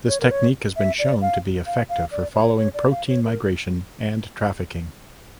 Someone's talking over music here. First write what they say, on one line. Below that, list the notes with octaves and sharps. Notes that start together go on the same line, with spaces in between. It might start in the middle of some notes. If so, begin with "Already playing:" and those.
This technique has been shown to be effective for following protein migration and trafficking.
C#5
A#4
C#5
E5
D5
F5
F5
F5
D5
C#5
C#5
D5
F5
C#5
A#4